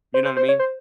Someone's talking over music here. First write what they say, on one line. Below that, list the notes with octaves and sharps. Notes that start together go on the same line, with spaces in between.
You know what I mean?
C5
C5
C5
C#5
C5